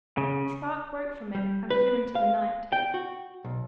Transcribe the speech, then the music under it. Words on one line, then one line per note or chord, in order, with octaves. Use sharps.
A spark broke from it and flew into the night.
C#3
G3
B4
F5
G5
F#4
B1